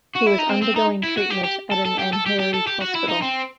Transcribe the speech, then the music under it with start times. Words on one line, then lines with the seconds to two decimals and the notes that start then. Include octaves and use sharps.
He was undergoing treatment at an Andheri hospital.
0.15 F#4
0.26 E4
0.38 D#4
0.49 C4
0.62 C4
0.76 D#4
1.04 E4
1.17 F#4
1.30 G4
1.44 G4
1.72 A4
1.85 A4
1.99 G4
2.13 A4
2.26 G4
2.39 G4
2.54 A4
2.67 G4
2.81 F#4
2.95 E4
3.08 D#4
3.22 C4